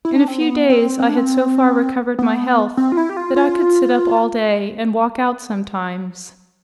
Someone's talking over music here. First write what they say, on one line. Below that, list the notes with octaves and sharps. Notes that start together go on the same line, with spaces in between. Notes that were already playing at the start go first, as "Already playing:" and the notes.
In a few days I had so far recovered my health that I could sit up all day, and walk out sometimes.
E4
D4
C4
B3
C4
C4
D4
C4
B3
C4
F4
E4
G4
F4
F4